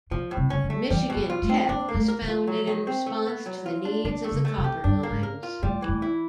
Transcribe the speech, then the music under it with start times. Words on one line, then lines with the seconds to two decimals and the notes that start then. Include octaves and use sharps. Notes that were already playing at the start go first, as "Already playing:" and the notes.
Michigan Tech was founded in response to the needs of the copper mines.
0.11 B2 F3
0.31 A2
0.37 C3
0.50 C#3 C#4
0.64 D3
0.70 A3
0.90 E3 G3
1.10 B2
1.16 F3
1.30 F4
1.42 A3
1.49 C4
1.69 A#3 D4
1.89 A#3
1.95 A3
2.08 A#4
2.22 F3
2.28 F4
2.47 F#3
2.67 D#3
2.87 C4
3.06 A3
3.27 B3
3.46 F#3
3.66 F4
3.85 D4
4.04 D#3 D4
4.24 A3
4.32 C#3
4.45 A3
4.58 C3
4.64 G4
4.84 G2 D4
5.03 A#3
5.10 G#2
5.23 A#4
5.43 F4
5.63 A2 G3
5.82 E3
5.88 A2
6.02 E4